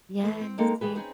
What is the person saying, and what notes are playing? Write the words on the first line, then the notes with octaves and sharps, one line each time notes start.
Yes, see, uh,
E3 A3
C4
G#3 A#3 C4 D#4 A4 A#4
E3 G3 G#4 B4
C4 C#4 D#4 G#4 B4